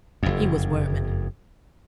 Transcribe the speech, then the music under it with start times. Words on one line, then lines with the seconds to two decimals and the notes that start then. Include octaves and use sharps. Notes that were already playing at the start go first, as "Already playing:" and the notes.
He was wermin!
0.23 F#1 F2